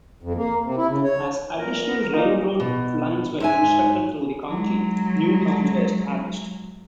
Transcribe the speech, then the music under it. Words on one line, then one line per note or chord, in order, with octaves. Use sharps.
As additional railroad lines were constructed through the county, new towns were established.
F2
A#3
C3
E4
C#3
C#5
A#2 A#4
A#2 D#4
B2
G#2 E5 G#5
F#3 G#3